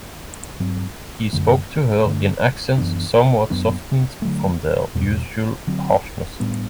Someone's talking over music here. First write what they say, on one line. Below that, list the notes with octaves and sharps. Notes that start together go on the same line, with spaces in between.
He spoke to her in accents somewhat softened from their usual harshness.
G2 F#3 C4
F#2 D3 A3
G2 D3 A3 D4
F#2 E3 B3 D4
F#2 F#3 B3 D4
D3 F#3 A3
E2 B2 G3
D3 F#3 C4
A2 G3 B3 D4